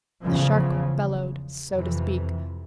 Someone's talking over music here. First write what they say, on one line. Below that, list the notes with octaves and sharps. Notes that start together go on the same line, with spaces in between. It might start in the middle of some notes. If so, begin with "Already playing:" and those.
The shark bellowed, so to speak.
E2 C#3 F3
F2 C3 E3